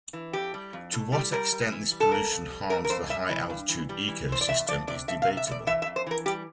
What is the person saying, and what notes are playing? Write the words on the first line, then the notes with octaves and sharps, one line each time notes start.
To what extent this pollution harms the high-altitude ecosystem is debatable.
E3
F2 G4
G3
F2
A2
G3 G4
G3 A#4
G3
E3
G3
A4
F2 A#4
F2
G3
F2 A#4
A#4
F2 C5
G3 E5
E3
G2
E3
G3
E3
E3 C5
D5
E2 E5
F3 D5
C3 D5
F3 E5
F5
C3
E5
E2 D5
E3 E5
E5
F2
C5
E3 A#4
G3 G4